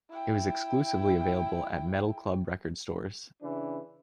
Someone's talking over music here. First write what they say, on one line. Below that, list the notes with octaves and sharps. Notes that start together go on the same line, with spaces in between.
It was exclusively available at Metal Club record stores.
E4 G5
C#3 E3 D4